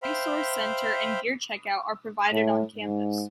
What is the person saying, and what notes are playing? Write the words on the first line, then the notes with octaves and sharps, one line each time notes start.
A resource center and gear checkout are provided on campus.
C5 E5 F5 G5 B5
A2
G#2